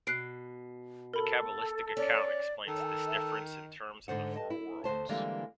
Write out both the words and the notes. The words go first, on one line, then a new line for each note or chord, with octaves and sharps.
The Kabbalistic account explains this difference in terms of the Four Worlds.
B2 F#6 C7 D7
A4 A#4 B5
C#4 D5
D#3 A4
G#2 D3 C5 F#5
D#5 A5
E4
D2 G#2 C5 A5
D3 E3 G3 G#3 A#3